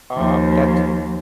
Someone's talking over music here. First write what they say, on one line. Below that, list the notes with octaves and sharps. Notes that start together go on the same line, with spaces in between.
Um, that's the
D#2 F3